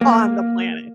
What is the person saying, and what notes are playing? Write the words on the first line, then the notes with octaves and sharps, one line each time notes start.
on the planet.
A#3